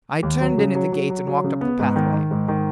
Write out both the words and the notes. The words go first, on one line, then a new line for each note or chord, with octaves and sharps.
I turned in at the gate, and walked up the pathway.
D#2
F#3
C#3
F#3
F#3
F#3
F#3
C#3
B3
G#2
D#3
D#3
G#2
D#3